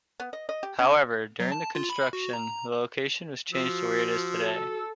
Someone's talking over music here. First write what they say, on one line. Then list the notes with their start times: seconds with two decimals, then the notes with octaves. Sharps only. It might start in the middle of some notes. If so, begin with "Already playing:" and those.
However, during the construction, the location was changed to where it is today.
0.20 B3
0.33 D#5
0.49 D#5
0.63 G4
0.79 C#4
1.40 F#3
1.52 A5
1.75 F4
1.90 B5
2.13 F#4
2.33 A#5
3.52 F3 F#4 E6
4.40 A4